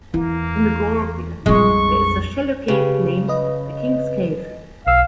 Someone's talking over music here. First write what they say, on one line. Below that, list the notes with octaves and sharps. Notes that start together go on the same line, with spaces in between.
In the Gore Glen there is a shallow cave, named "The King's Cave".
E2 E3 A#3
A#1 F2 G3 G#3 D4 C#6
C#3 G4 G#4 B4
B4 D#5
B1 F5 E6